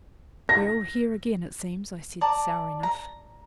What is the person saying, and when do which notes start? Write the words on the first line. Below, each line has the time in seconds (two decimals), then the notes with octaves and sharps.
'We're all here again, it seems,' I said, sour enough.
0.49 A#6
2.21 D5 A5 A#5
2.83 A#5